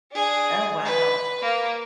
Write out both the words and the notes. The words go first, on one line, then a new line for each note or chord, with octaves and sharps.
Oh, wow.
D4 G#4
B4
A#3